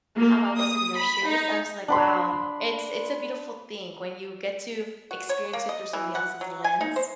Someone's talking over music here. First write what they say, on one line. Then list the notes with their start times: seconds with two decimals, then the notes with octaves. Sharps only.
how I was in their shoes, I was just, like, "Wow." It's it's a beautiful thing when you get to experience it through somebody else's lens.
0.17 A#3
0.58 D#6
0.97 B5
1.27 D#4
1.88 D4 B5 C6
5.11 F#4
5.29 C#5
5.53 A#3
5.69 D#5
5.93 E3
6.15 F#5
6.41 F#3
6.64 G#5
6.81 D#4
6.96 C5